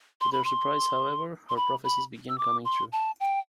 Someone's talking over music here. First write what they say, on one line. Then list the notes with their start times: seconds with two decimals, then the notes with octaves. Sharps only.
To their surprise however, her prophecies begin coming true.
0.21 C6
0.32 B5
0.44 C6
1.49 C6
1.57 B5
1.84 B5
2.29 E6
2.38 D6
2.65 C6
2.92 A5
3.20 G5